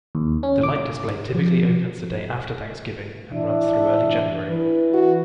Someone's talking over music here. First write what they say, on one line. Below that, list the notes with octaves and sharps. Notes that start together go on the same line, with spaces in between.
The light display typically opens the day after Thanksgiving and runs through early January.
D#2
C#4
D6
F3
E3 D4 E5
E3 B4
F#4